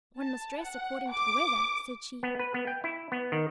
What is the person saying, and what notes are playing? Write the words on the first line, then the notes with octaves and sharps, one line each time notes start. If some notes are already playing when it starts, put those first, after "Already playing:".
"One must dress according to the weather," said she.
A5
F#5
D6
B3
B4
B3
G5
E4
B3
D#3